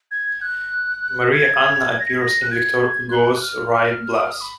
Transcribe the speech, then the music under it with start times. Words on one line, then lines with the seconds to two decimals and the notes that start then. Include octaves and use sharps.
Maria Anna appears in Victor Hugo's Ruy Blas.
0.11 G#6
0.42 F#6
1.31 G#6
1.91 G#6
2.00 A#6
2.09 G#6
2.21 A#6
2.42 F#6
2.51 G#6
2.81 G#6
3.11 F#6
3.35 F#6
3.41 F6
4.23 F6
4.31 D#6
4.41 B5